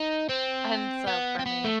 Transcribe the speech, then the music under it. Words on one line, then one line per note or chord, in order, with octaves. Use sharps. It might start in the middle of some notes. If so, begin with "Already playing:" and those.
And, so, for me,
Already playing: D#4
C4
B3
C4
B3
A3